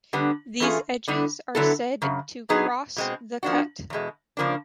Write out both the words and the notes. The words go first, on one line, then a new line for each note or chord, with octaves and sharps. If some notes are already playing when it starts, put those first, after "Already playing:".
These edges are said to cross the cut.
D3 G3 B3
E3 A3 C#4 F4 G#4
D3 G3 B3
D3 F#3 B3 E4 A4
F#2 C#3
A#2 F#3 B3 D#4 G#4
B2 G#3 C4
F3 A#3 D4 F#4
E2 B2 G#3
C#3 F3 A#3 D4